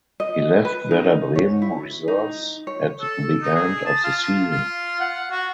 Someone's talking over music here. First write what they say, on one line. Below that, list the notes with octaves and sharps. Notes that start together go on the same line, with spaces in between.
He left Werder Bremen reserves at the end of the season.
D#5
B4
D#4
C#5
E4
D#4
C#5
A4
D#4
G#4
A5
F4
F4
F#5
F#4